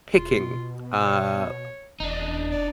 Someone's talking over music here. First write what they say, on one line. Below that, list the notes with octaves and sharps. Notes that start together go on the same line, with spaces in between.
picking, uh,
E1 F4
B2
C#5
F1 E2 D4 D#4
D5